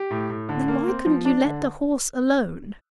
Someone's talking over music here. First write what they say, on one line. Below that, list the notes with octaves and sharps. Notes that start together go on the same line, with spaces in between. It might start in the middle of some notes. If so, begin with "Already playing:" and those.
"Then why couldn't you let the horse alone?"
Already playing: G4
A2
A2
D3
A#3
C4
F3
D4
D3